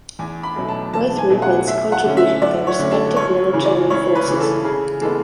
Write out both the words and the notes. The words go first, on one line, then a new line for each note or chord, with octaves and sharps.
Both movements contributed their respective military forces.
E2 G#5
B5
B2 F#3 A3
A5
E2 A5
G#5
B2 F#3 A3
F#5
F#2 E5
F#5
D3 A3 C#4
E5
F#2 D5
C#5
D3 A3 C#4
A4
C#2 C#5
C#3 E3
D5
C#2 C#5
B4
C#3 E3
A4
C#3 G#4
E3 G#3 B3 A4